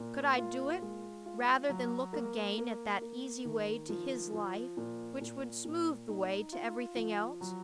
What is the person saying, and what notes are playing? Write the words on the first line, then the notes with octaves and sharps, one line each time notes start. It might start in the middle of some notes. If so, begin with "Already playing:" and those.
Could I do it, rather than look again at that easy way to his life which would smooth the way to everything else?
Already playing: A#2
F4
G#3
F4
F#3
A#3
A#3
A#3
D#3
F3
F3
A#2
A#2
A#2
D#4
F4
F3
F#3